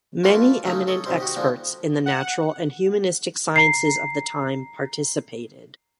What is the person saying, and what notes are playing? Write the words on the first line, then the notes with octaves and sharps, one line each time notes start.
Many eminent experts in the natural and humanistic sciences of the time participated.
A3 F4 F#4 B4 D5 G#5
C#3 F#3 A3 A#3 D#4
A4 C#5 D#5
B1 C3 D#3 G3 C5
F#4 G4 D#5
D3 F3 G#3 A#3 D4 D#4
F#5
A#5 C7